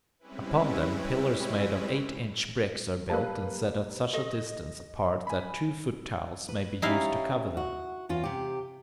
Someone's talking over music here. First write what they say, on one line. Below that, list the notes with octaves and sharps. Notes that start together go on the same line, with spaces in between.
Upon them, pillars made of eight-inch bricks are built, and set at such a distance apart that two-foot tiles may be used to cover them.
G3 G#3 C4 C#4 E4 B4
G3 A#3 A#4 B4 F5 A5
G4 A4 D#5
G#5 B5
B4
G3 C#4 D#4 E4 F5
F#4
E2 C#4 F4
C3 G4